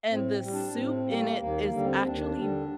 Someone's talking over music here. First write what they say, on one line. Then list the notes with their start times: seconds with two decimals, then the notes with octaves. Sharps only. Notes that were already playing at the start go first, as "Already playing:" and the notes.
and the soup in it is actually
0.11 A2 C4
0.43 G3
0.54 D4
0.75 A2 C4
1.08 G3 A#3
1.40 D#2 A#3
1.63 A#3
1.73 D3 G3
1.85 C4
2.06 D#2 D4
2.38 D3 G3